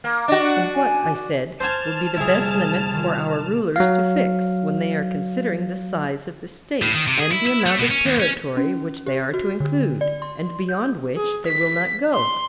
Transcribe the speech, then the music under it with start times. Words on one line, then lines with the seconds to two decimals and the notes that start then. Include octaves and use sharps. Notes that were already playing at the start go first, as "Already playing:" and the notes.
And what, I said, will be the best limit for our rulers to fix when they are considering the size of the State and the amount of territory which they are to include, and beyond which they will not go?
0.04 A#3
0.28 D4 F#4 D#5
0.42 F#5
0.75 G#5
1.60 C5 G#5 A5 C6 D6 E6 F6
2.17 G1 C2 F2 E4 G#4
2.94 D#3 F4
3.76 F#3 F5
6.82 A2
6.94 D#3
7.07 C3
7.20 G#4
7.32 E4
7.46 E4
7.66 A3
7.79 B2
7.90 C#4
8.05 D#2
8.20 C#4
8.57 C#4
9.06 G4
9.34 F#4
9.60 D3
10.01 D5
10.22 C6
10.69 G6
11.17 G#4
11.47 B6
12.13 C6